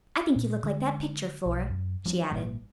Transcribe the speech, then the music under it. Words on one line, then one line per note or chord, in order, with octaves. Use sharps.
"I think you look like that picture, Flora," she added.
A#2
D3 G#3
B1
F#2
F3 G3 B3 C#4
G#1 A#2 G3